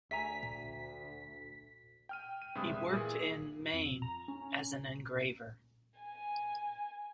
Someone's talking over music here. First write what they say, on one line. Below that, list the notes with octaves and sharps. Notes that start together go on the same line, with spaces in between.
He worked in Maine as an engraver.
D2 E5 G#5 A#5 B6
G5 F6 D#7
D#7
G2 C3 G#3 B5 D#6
E5
A#2 E3 G#4
F2
A#5
C#4
G#5